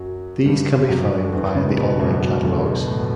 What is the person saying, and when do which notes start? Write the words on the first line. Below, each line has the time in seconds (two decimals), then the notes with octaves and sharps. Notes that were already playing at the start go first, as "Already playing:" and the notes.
These can be found via the online catalogues.
Already playing: F#2 F#3
0.46 G2 G3
0.89 F#2 F#3
1.25 D3
1.33 E2 E3
1.55 C#2 C#3
1.78 B2
1.99 F#2 F#3
2.21 F#2 F#3
2.43 D2 D3
2.65 B2
2.87 A2